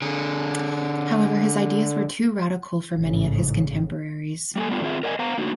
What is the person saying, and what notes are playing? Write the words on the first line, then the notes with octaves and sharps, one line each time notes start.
However his ideas were too radical for many of his contemporaries.
D3 G#4
A1 G#2 C#3
G3 A#3 A4 G#5
G3 A3 B3 D4 F4
D#3 C4 F4 G#4 E5
A#4 D5 D#5 F#5 G#5
B3 C5 F5 A#5
F#3 A3 A#3 D4 D#4 F#4